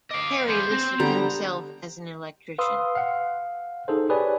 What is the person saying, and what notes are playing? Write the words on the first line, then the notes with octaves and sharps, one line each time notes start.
Perry listed himself as an electrician.
D#5 F5 D6
B3 G#4 C5
C4
D3 G3 B3 A#5
B4 F5 C6 D#6 E6
F5 F#5
D#4 G#4 A4 C5
G4 G#4 B4 C#5 D5 G#5